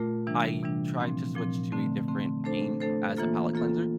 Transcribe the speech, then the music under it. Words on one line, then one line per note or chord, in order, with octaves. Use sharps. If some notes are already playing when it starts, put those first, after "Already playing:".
I tried to switch to a different game as a palate cleanser,
Already playing: A#2 A3 F4 A#4
C3 E3 G3 D4
C3 E3 G3 D4
A#2 F3 C4
A#2 F3 C4
D3 A3 C4
D3 A3 C4
A3 D4 A4 C5
A3 D4 A4 C5
E3 A#3 F4 A4
E3 A#3 F4 A4